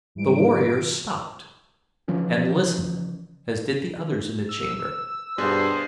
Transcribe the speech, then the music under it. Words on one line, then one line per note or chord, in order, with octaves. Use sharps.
The warriors stopped and listened as did the others in the chamber.
G#2 E3 G3 E4 D7
C#3 E3 F3 C#4
E6
G2 B2 D4 G#4 C5